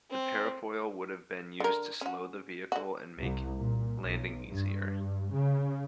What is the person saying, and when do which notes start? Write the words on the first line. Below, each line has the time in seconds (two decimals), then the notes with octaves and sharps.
The parafoil would have been used to slow the vehicle and make landing easier.
0.10 C4
1.60 D3 A#4
2.01 C#4 F#4
2.72 D3 F#4
3.18 C2
3.57 A#2
4.04 B1
4.48 G2
5.33 C#3